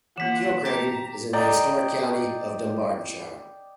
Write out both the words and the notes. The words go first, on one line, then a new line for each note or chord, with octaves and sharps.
Kilcreggan is in the historic county of Dunbartonshire.
E3 A#3 F4 F#5 B6 E7
G4 A5 A#5
D5 D#5 G5 A#5